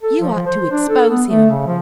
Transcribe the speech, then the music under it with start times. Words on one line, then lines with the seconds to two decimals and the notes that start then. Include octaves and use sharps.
"You ought to expose him."
0.01 A4
0.21 F3
0.35 F3
0.47 C5
0.71 D4
0.89 A4
1.10 B3
1.28 A3
1.50 C#3
1.66 F3